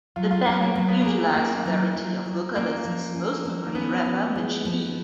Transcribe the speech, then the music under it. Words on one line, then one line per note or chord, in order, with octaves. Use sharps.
The band utilized a variety of vocalists, most notably rapper Michie Mee.
F#3 F4
F4
F#3 C#4
A#3
F#3 A#3
B3
A#3 G#4
A#3 C#4
F#3
F#3
F#3
A#3 C#4
F3
C#4
F3
A#3
B3 C#4
F3
G#3
F3